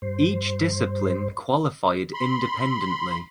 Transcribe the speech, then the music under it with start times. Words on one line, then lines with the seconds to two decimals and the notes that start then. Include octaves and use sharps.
Each discipline qualified independently.
0.02 G2 C5
2.14 B5 C6